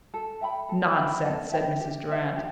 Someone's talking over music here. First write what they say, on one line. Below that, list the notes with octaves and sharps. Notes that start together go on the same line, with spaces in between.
"Nonsense," said Mrs. Durrant.
A4
E5 G5 B5
A4
E5 G5 B5
A4
E5 G5 B5
G4
C5 E5
G4